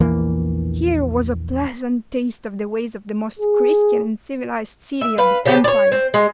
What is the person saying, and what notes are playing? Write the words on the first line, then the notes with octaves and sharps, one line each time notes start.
Here was a pleasant taste of the ways of the most Christian and civilised city of the Empire!
A#1 E2 E3 A#3
G#4
E5
B4 F5
C#3 F3 G4
C#5 D5
C4
G#3